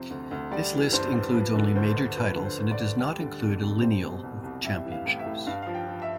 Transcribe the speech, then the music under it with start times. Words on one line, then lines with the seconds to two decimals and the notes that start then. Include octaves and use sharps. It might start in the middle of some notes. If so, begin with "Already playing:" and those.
This list includes only major titles, and it does not include "lineal" championships.
Already playing: F2 C3 F3 C5
0.10 D2
0.31 D2
0.51 G3 D5
0.73 E3
0.93 G2 C5
1.13 G2
1.34 F3 B4
1.55 D3
1.75 D2 C5
1.96 D2
2.16 F3 B4
2.37 D3
2.45 C5
2.58 D2
2.71 D5
2.79 D2
3.00 G3
3.20 D3
3.40 F2
3.61 F2
3.81 G3 C5
4.02 B2
4.23 C2
4.43 C2
4.64 G3 E5
4.85 E3
4.91 F5
5.05 A2
5.19 E5
5.26 A2
5.46 G2 F5
5.62 F3 F5
5.74 G5
5.88 F3
6.02 E5